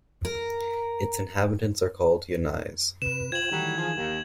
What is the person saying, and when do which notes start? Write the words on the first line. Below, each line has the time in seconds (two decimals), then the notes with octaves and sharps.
Its inhabitants are called "Yonnais".
0.25 A#4
3.02 C3 B4 E7
3.32 F4 C5 G5 G#6 F#7
3.51 A2 D#3 E3 F#3 G3
3.78 F3 G#4
3.97 D#2